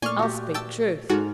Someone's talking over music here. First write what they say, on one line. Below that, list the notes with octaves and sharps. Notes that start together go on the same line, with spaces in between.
I'll speak truth.
A#2 A3 A#3 D5 G#5 C6 C#6 F6
F#4 G4
G5 A5 E6
G#2 F#4 A4 A5 F6